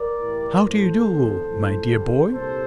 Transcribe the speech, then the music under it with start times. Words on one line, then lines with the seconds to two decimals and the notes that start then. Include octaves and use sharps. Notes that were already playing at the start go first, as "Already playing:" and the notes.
How do you do, my dear boy?
Already playing: A#4 D5
0.19 A2 E3 G3
0.61 A2 F3 A4 C5
1.05 E2 D3 F3
1.47 A2
1.52 F3
1.90 G2 D3 G3
2.32 C2 A#2 G3 A4 C5